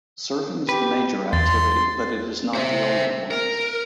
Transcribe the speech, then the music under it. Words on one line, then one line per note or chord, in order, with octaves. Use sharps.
Surfing is the major activity but it is not the only one.
G4 B4
E2 C6 A6
C5 E5
A#4